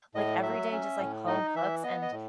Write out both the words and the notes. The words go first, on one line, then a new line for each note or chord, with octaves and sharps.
like, everyday just, like, home cooks, and
A2 D#5
F#3 E5
C#4
A2
D#4 D#5
E3 E5
B3 D#5
D#5
A2